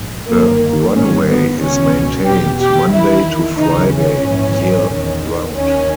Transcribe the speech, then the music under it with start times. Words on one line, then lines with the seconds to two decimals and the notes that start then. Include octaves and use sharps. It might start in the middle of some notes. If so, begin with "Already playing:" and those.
The runway is maintained Monday to Friday year-round.
Already playing: A#1 G#2
0.27 G1 G2 D#3 A#3
0.93 G#1 G2 D#3 C#4
1.27 B3
1.60 C#2 B2 C#4
2.26 E2 B2 G4
2.60 G4
2.92 E2 D#3 E4
3.58 D#2 C#3 E3 D#4
3.91 C#4
4.25 A#1 G#2 E3
4.92 E2 D#3
5.57 D#2 D#3 C#4